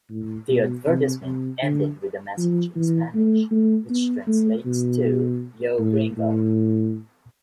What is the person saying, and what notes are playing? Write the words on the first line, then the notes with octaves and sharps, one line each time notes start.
The advertisement ended with a message in Spanish which translates to Yo, gringo!
A2
B2
C3
C3
D3
F3
E3
A3
A3
B3
A3
B2
A2
A2